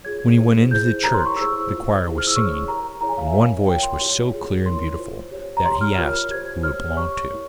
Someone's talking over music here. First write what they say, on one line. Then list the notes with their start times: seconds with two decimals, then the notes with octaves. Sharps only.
When he went into the church the choir was singing, and one voice was so clear and beautiful, that he asked who it belonged to.
0.04 F4 G#4 C#5 G#6
0.38 E4 G#4 C5
0.71 E4 G#4 C5 G6
1.03 E4 G4 A#4 C#5 A#5
1.14 C6
1.26 C#6
1.36 E4 G#4 C5 E6
1.70 F4 C5
2.03 E4 G#4 C5
2.18 F6
2.27 E6
2.36 E4 G#4 C#5 C#6
2.68 G4 A#4 C#5 A#5
3.01 E4 G#4 C#5 A#5
3.09 G#5
3.18 F5
3.27 E5
3.34 G4 A#4 C#5 F5
3.67 F4 A#4 C#5 G5
3.83 C6
4.00 E4 G4 C#5
4.33 F4 G#4 C#5
4.66 E4 A#4 C#5 C6
4.99 F4 C5
5.32 G4 C#5
5.57 A#5
5.65 C#5 C6
5.68 G4
5.81 F6
5.97 F4 A#4 C#5 F6
6.30 G4 C5 G#6
6.63 G4 C#5 F6
6.97 G4 C#5 C#6
7.31 E4 A#4 C#5